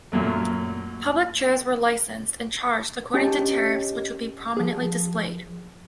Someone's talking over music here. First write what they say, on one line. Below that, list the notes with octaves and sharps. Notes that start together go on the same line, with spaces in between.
Public chairs were licensed, and charged according to tariffs which would be prominently displayed.
F#2 A#2 F#3 A3
C#4 G4 C#5 D#5 A5
F3 G#4